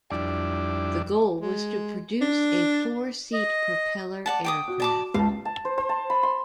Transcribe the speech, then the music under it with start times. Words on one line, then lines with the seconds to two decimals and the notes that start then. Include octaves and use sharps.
The goal was to produce a four-seat propeller aircraft.
0.11 F2 G3 D4 E4 D5
1.41 G#3
2.22 D4
3.33 D#5
4.26 D5 F#5 A5
4.44 G5 D6 D#6
4.68 F#4
4.80 D5 A5 D6
5.14 C#2 F5 A5
5.45 A5
5.65 C5
5.78 C5
5.89 A5
6.10 B5
6.23 C6